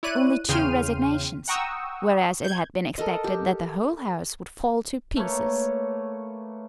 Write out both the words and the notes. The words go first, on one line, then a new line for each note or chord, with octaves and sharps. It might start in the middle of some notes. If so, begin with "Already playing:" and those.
Only two resignations;--whereas it had been expected that the whole House would fall to pieces!
E4 C#5 D5 F#6 D#7
E2 C#3 G5 C6 F6 D#7
F#5 G5 A#5 C#6 D#6 E6
G6 G#6
A4 A#4 D#5
G4
A3 A#3 B4 C#5